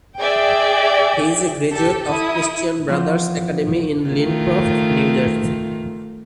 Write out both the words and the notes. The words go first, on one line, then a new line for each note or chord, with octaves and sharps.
He is a graduate of Christian Brothers Academy in Lincroft, New Jersey.
G#4 D5 E5 G5
G4 A4
E4 D#6
E2 F3 C4 F4
D#3 A3 F4